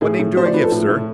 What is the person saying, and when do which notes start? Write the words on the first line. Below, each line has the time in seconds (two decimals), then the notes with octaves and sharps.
"What name do I give, sir?"
0.01 A2 G#4
0.19 A2
0.37 F3 C5
0.46 D5
0.54 F3 B4
0.63 A4
0.72 A2
0.89 A2